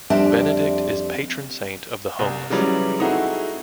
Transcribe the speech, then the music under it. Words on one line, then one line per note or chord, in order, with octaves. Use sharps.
Benedict is patron saint of the homeless.
F2 G3 C4 D4 E5 A5
C2
C#3 E3 F#3 G3
A3 C4 D#4 E4 F#4 G#4